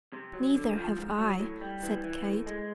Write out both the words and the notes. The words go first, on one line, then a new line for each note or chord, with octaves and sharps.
"Neither have I," said Kate.
C3
F#3
D3
F3
G#2
F#3
A2
G3
E3
E3
A2
G#3